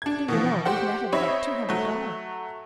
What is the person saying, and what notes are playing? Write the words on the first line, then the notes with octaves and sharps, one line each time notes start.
Do you know, we've netted about two hundred dollars.
D4 G#6
B2 E3 F3
G4 C5 F#5
C4 D#4 C#5 E5 B5
F#3 A3